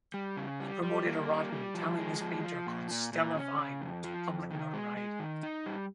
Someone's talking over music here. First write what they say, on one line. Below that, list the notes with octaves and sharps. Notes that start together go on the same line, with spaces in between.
He promoted a rotten, talentless painter called Stella Vine to public notoriety.
G3
C#3
G3
G3
A#3
G3
G3
F3
G#3
F3
F3
A#2
A#2
A#2
C#4
C#3
F2
F3
F2
D#3
G#3
G#3
D#3
D#4
G3